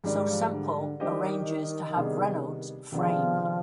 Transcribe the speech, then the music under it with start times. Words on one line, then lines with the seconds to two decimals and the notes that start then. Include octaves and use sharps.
So Semple arranges to have Reynolds framed.
0.04 G#2 D#3 G3 D4 G4 D5
0.27 F3
0.51 D3
1.00 D#3 G3 D4 G4 C5 D#5
1.96 C3 G3 B3 D4 G#4
2.92 C3 D#3 F3 B3 D4 G#4